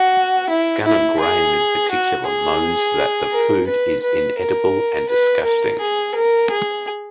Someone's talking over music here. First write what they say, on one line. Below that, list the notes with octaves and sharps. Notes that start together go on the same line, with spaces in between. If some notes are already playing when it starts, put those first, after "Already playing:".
Gunner Graham in particular moans that the food is inedible and disgusting.
Already playing: F#4
E4
E4
G#4
F#4
G#4
A#4
B4
B4
A#4
B4
A#4
G#4
A#4
G#4